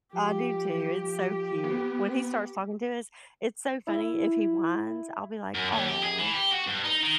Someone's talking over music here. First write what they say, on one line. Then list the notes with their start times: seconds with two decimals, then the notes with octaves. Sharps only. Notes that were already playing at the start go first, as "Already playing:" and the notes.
I do too, it's so cute. When he starts talking to us, it's so funny, if he whines, I'll be like, "Aw,
0.13 F3 G4
1.64 B3
3.87 E4
5.54 F#2
5.72 D#2
5.88 G4
6.03 G#4
6.18 E3
6.33 G4
6.52 F#4
6.67 G2
6.84 D#4
7.02 D#3